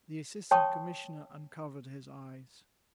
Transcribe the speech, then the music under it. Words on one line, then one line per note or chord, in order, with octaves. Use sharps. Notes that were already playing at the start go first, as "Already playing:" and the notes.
The Assistant Commissioner uncovered his eyes.
C#5 G5 A5 C6 C#6 D#6